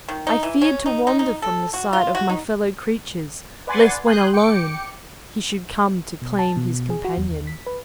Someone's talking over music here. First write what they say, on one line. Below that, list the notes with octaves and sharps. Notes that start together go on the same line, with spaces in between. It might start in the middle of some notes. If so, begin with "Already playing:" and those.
I feared to wander from the sight of my fellow creatures lest when alone he should come to claim his companion.
D#3
D#4
E3
C#4
D#4
D#4
D#4
A4
F#4
F4
F#4
D#4
B4 D5 F#5 G#5 C6 A6
G#5 C6 D#6 F#6 G6
G5 D6 C#7
B2
A5
B2
G#4
F#4
E2
D#2
B6
B4